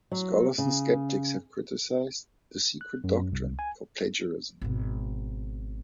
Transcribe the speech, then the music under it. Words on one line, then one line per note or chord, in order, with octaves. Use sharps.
Scholars and skeptics have criticized "The Secret Doctrine" for plagiarism.
F#3
C#3
F#6
F#2
C2
G#5
G#1 B2